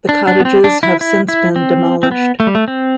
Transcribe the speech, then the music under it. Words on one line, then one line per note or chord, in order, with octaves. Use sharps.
The cottages have since been demolished.
D4
D4
B3
C4
D4
E4
E4
E4
C4
C4
B3
A3
G3
A3
C4